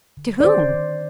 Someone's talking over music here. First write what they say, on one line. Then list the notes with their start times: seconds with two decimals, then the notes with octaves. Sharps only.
"To whom?"
0.17 D3
0.40 D5
0.44 D#3 C5
0.74 D#3